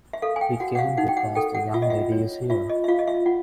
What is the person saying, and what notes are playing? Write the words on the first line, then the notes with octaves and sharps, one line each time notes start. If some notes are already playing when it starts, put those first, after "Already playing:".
He came because the young lady is here.
E5
A4 F5
G#5
G5
F#4 F#5
F#5
F5
D#4 F#5
G5
F#5
A4 G5
F#5
F4 E5
D#5
E5
C#5
F4 E5
D#5
E5
F4 F5
D#5
E5
F4 F#5